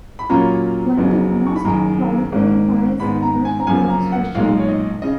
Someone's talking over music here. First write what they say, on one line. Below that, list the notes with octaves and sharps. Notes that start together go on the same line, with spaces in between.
One of the most prolific empires in this regard was Russia.
B5
A#2 F#3 A#3 C#4 F4 A#5
F#1 F2 C#3 F#3 B3
C#6
B5
F#1 F#2 D#3 A#5
G#1 G#2 D#3 A#3
G#2 D#3 G#3 B3 B5
A#5
G#5
A#5
F#2 C#3 F3 A#3 G#5
A#5
F#5
B1 A#2 G#3 D#4 F5
C#5
D#5
C#3 D#5